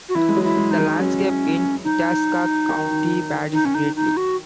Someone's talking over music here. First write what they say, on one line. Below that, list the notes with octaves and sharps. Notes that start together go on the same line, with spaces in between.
The landscape in Itasca County varies greatly.
F#4
E3 E4
G#3
F#3
E4
G#3
D#4
G#3
F#3 C#4
D#4
D#3
D#4
C#4
D#4
D#4
F#4